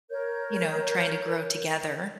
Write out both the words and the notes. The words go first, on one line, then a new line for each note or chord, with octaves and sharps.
you know, trying to grow together,
A#4 C#5 G6